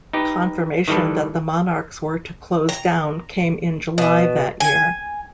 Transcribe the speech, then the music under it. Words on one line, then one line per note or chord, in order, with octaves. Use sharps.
Confirmation that the Monarchs were to close down came in July that year.
D#4 G4 B4
D#3 E3 G3 A4 B4
A#5
B2
G#5